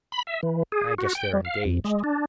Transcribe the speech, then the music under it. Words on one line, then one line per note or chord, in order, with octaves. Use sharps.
I guess they're engaged.
B5
E5
E3
G#4
F#4
G5
G3
F5
F2
G#3
D4